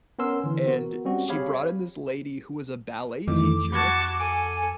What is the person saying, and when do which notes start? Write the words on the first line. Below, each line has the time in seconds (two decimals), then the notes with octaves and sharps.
and she brought in this lady who was a ballet teacher,
0.19 B3 C#4 A#4 C6 E6
0.44 D3 E3
0.66 B3 F#4 A#4
1.05 G3 C4 C#4 F#4
1.28 C4 G4 G#4 C#5 F5 B5
3.28 F2 D#3 E3 A3 D6
3.72 F#4 A5 B5 G#6
4.20 A4 G#5 D6